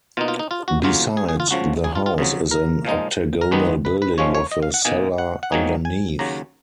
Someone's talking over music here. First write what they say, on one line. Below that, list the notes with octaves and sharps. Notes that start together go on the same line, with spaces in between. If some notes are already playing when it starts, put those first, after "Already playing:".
Beside the house is an octagonal building with a cellar underneath.
B2 A#3 D#4 F4
F4
D#4
F4
F#4
D#2 C#3 F#3 F4
G#4
G#4
F4
C#2 C#3 F3 F#4
G#4
F4
F4
F2 C#3 F#3
A#4
A#2 F3 G#3 D#4
A#4
D#2 D#3 G#3 B3 D#4 B4
B4
B4
G#2 F3 G#3 C#4 C#5
C#5
D#5
F5
F#5
B2 A#3 D#4 G#5
F#5
F#5
G#2 D#3 F#3 A#3 D#4 G#5
G#5
D#2 C#3 F#3 A#5